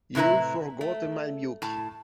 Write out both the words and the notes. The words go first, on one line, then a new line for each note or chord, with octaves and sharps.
You've forgotten my milk.
A2 C3 E4 B4 A#5
A3
A2 A5